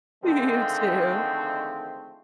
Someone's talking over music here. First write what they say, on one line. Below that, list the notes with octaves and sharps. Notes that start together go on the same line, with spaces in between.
You too.
D3 D#3 F3 G#3 A3 C4